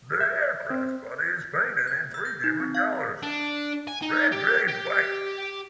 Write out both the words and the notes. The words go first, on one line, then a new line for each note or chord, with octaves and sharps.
The aircraft body is painted in three different colors red, grey and white.
E5
C4
G#6
E6
G6
D#4
C4
F5
D4
G#5
D#4
G4
G4